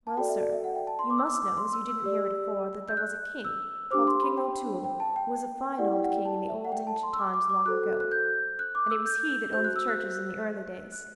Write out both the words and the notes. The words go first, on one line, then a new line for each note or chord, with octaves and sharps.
Well, sir, you must know, as you didn't hear it afore, that there was a king, called King O'Toole, who was a fine old king in the old ancient times, long ago; and it was he that owned the churches in the early days.
A5
F#4 A4 D5 G5
E5
D5
E5
F#5
G5
A5
C6
D6
E6
D6
E6
D6
C6
E6
E6
G4 D5
G6
F#6
E6
D4 G4 C5 D6
C6
B5
G5
G5
A5
G5
E4 G4 D5 F#5
G5
F#5
G5
A5
E5
F#5
G5
A5
C6
E6
D6
D6
D6
F#4 A4 C5 F#6
F#6
G6
F#6
D6
E6
G6
F#4 C5 G6
F#6
E6
F#6
F#6